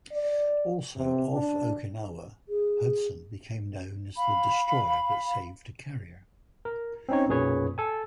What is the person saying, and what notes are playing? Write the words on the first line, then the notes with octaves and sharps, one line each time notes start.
Also off Okinawa, "Hudson" became known as the "destroyer that saved a carrier".
D5
C3
D4
G#4
F5 B5
A#4
C4 C#4 D#4 C#5
B1 F#2 A#2 G#4 B4 C#5
A4 G#5